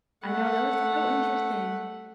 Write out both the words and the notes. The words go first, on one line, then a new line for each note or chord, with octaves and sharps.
I know that was so interesting.
A3 F#5